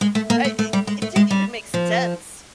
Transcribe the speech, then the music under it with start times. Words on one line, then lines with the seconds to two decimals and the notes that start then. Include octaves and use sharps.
I it it didn't even make sense.
0.01 G#3
0.15 A3
0.30 A#3
0.45 A3
0.59 A3
0.73 G3
0.87 G#3
1.02 A3
1.16 G#3
1.31 G3
1.74 F3